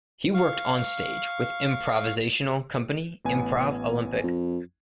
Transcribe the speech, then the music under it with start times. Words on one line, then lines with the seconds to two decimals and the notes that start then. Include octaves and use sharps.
He worked on stage with improvisational company Improv Olympic.
0.34 F5 C#6
3.25 A1 B3 G#5
4.23 F2